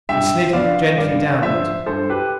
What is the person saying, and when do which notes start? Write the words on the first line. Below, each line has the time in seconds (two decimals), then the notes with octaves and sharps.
We slid gently downward.
0.09 G2 E5 G5
0.53 F3 B3 D4 D5 F5
0.98 G2 D5 F5
1.42 F3 B3 D4 C5 E5
1.86 G2 A4 C5
2.10 G4 B4